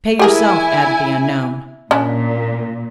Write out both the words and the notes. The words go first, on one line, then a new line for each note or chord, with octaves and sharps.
"Pay yourself," added the unknown.
E4 G4 G#4 A#4 G#5
A#2 C#4 D4